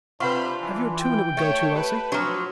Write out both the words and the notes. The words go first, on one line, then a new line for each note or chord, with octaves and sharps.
"Have you a tune it would go to, Elsie?"
C3 D4 F4 B4 C5 F#5 B5 C#6
E3
G5
A3 C#5
G4 B4
F3 F#3 D4 C#5 A#5